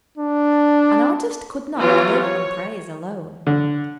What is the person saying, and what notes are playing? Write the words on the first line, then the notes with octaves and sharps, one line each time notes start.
An artist could not live on praise alone.
D4
E3 F#3 B3 F4 G4 C#5
C#5
D3